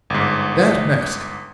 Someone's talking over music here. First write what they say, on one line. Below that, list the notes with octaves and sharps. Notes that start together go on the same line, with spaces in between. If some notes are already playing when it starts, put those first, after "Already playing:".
That mask!
G1 G#2